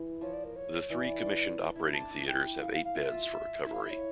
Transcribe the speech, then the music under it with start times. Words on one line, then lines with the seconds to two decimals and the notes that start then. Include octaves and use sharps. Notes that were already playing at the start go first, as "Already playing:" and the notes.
The three commissioned operating theatres have eight beds for recovery.
Already playing: E3
0.21 F3 C#5
0.33 D5
0.44 A#4
0.56 C#5
0.90 E3 D5
1.59 D4
1.76 E4
1.93 D4 A5
2.10 E4
2.27 G5
2.61 F5
2.72 F5
2.84 F5
2.95 F4 E5
3.12 F4
3.64 E4 E5
3.73 F5
3.81 E5
3.90 C#5